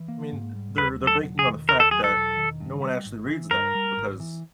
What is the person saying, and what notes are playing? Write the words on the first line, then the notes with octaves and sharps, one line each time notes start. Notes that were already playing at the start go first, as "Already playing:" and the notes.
I mean, they're they're banking on the fact that no one actually reads that because
Already playing: E3
A#3
G#2
G3
D#2 B4
F#3
A4
E1
G#4
D#3
D#2 A#4
A4
F#3 G#4
A4
E1
D#3
G2
G3
G#1
E3
G2 A#4
G3
G#1
E3